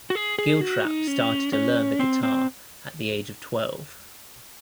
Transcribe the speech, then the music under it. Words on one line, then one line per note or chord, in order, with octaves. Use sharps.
Giltrap started to learn the guitar at the age of twelve.
F#4
G#4
G#4
F#4
D#4
C#4
C#4
C4
C4